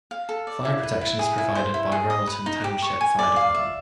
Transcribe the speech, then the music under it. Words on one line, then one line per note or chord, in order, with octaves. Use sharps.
Fire protection is provided by Royalton Township Fire Department.
F5
A4
D5
E4
B4
E4
G#4
E4
C5
E4
G#4
D#5
B4
D#4
G4
C#6
G#5
D5
F5
E5